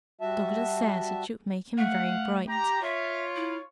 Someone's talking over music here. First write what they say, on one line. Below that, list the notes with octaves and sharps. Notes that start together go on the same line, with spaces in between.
Douglas says it should make him very bright.
G3 F#4 E5 A5
A3 F5 F#5
G4 A#5
F4 C#5 E5
E4